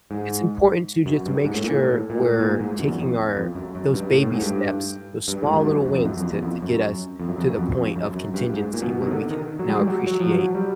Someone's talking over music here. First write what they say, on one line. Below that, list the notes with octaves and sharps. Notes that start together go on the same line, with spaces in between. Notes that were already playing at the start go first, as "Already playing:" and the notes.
it's important to just make sure we're taking our those baby steps, those small little wins to to get us to the point of contingency where we can now appreciate,
G#2
F#2
G2
G#2
A2
A#2
A2
A#2
A2
A#2
G#2
F#2
E2
F2
F2
F#2
F#2
G2
A2
A2
G#2
G2
G2
A2
G#2
F#2
G2
F#2
F2
F#2
F2
E2
F2
F#2
F2
F#2
F2
F#2
F2
F2
F#2
F#2
G2
G#2
A#2
B2
C3
D#3
D3
D#3
F#3
G#3
G3
F#3
F#3
F3
F#3
G3